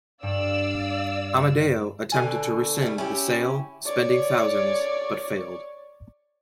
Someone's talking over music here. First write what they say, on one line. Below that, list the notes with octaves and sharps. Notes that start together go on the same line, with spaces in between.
Amadeo attempted to rescind the sale, spending thousands, but failed.
G2 D5 F5 E6
B2 D3 F4 G#5
G3 A3
C#4 E4 G4
C#5 D5